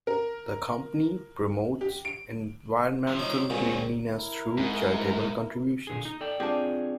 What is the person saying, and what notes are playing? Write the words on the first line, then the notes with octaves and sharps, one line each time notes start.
The Company promotes environmental cleanliness through charitable contributions.
A#4
G4
D7
C3 F3
C#4 D#4
C#2 A#2 C4 C#4
E4 A#4
G#2
A#2 D3 G#4
D#4
A4 D5 G5
C4 D4 F4 G4 G#4